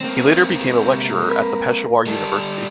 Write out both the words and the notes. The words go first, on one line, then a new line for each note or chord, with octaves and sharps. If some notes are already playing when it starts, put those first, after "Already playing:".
He later became a lecturer at the Peshawar University.
A#3 C4
C3
A#4 B4
G3 A4